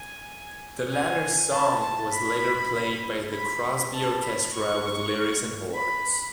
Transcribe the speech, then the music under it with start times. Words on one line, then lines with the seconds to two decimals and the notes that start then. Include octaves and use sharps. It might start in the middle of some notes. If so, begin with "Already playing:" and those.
The latter song was later played by the Crosby orchestra with lyrics and horns.
Already playing: G#5
0.90 G#5
1.51 A5
1.80 A5
2.11 B5
3.32 B5
3.93 A5
4.22 B5
4.53 C#6
5.74 B5